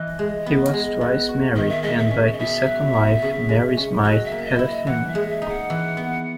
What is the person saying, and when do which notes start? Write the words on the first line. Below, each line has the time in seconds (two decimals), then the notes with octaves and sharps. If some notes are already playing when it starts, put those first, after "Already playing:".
He was twice married, and by his second wife, Mary Smythe, had a family.
Already playing: E3 D#5
0.19 G#3
0.46 B3
0.73 G#3
1.01 B3
1.29 F#4
1.56 D#3 D#5
1.69 E5
1.82 G#3 D#5
1.98 E5
2.11 C#4
2.32 D#5
2.39 B2 E5
2.66 F#3
2.94 B3
3.22 C#3
3.49 G#3
3.77 C#4
4.04 F#3 D#5
4.25 E5
4.32 A#3
4.45 D#5
4.59 E4
4.67 D#5
4.87 E3 F#5
5.07 E5
5.15 G#3
5.29 E5
5.42 D#4
5.49 F#5
5.70 E3
5.97 B3